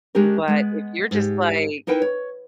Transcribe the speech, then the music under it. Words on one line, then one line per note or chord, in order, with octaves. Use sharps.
But if you're just like,
G#3 C#4 D4 G4 A#4
G#3 B3
G#2 G4
D#4 E4 A#4 B4 G5
C#5